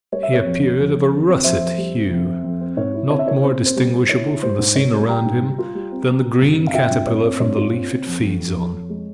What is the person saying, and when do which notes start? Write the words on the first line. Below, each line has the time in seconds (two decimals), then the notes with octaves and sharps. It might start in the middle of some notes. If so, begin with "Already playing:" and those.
He appeared of a russet hue, not more distinguishable from the scene around him than the green caterpillar from the leaf it feeds on.
0.12 G3 C#5
0.23 E5
0.29 C4 C#5
0.45 F2
0.62 C3
0.79 F2
0.95 F2
1.12 C4
1.28 C4
1.44 F2 C5 E5
1.61 F2
1.78 G3
1.94 C3
2.11 F2
2.27 C4
2.44 F2
2.61 C4
2.77 G#2 C#5
2.94 E4
3.10 C4 C#5
3.19 E5
3.26 E4 C#5
3.43 C4 C5
3.60 C4
3.66 C5
3.76 G3
3.93 G3
4.09 E4 C#5
4.26 E4
4.42 G3 C5
4.59 G#2
4.75 C4 C#5
4.92 G3
5.09 G3 G5 A#5
5.25 G#2
5.41 G3
5.58 F4
5.75 G3
5.92 C4
6.08 C4
6.24 F4
6.41 G2
6.57 C4
6.67 F5
6.74 F4 E5 G5
6.91 G2
7.07 C4 C#5
7.24 C4
7.40 G2 C#5
7.57 F4
7.74 C4
7.90 C4
8.07 F2
8.23 F2
8.40 F2
8.56 F2
8.73 F2
8.90 G#3